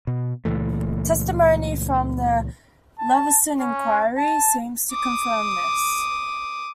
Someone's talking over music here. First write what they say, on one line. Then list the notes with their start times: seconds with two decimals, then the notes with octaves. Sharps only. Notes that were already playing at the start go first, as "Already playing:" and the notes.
Testimony from the Leveson Inquiry seems to confirm this.
0.07 B2
0.45 C#2 A#2 E3 A3
2.99 A5
3.60 C#4
4.18 A5
4.92 D6 D#6